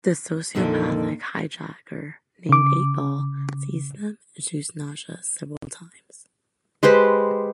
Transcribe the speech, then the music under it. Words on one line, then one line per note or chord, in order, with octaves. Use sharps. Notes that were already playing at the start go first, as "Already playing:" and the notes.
A sociopathic hijacker named Eightball sees them and shoots Nadja several times.
F2 A#2 D3 D#3 A#3 D#4
C#3 D6
G#3 G4 B4 C5